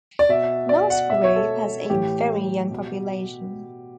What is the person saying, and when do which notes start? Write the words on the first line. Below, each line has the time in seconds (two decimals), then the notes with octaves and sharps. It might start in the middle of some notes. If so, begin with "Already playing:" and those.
Nutgrove has a very young population.
0.19 D5
0.29 B2 E5
0.69 D5
0.90 F#5
1.09 B2 E5
1.24 C#5
1.36 A4
1.90 A2 E3 G4
2.71 B2